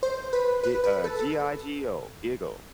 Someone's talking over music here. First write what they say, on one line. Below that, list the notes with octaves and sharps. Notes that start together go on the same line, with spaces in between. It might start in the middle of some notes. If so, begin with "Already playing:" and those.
g uh, G-I-G-O, GIGO.
C5
B4
B4
B4
A4
A4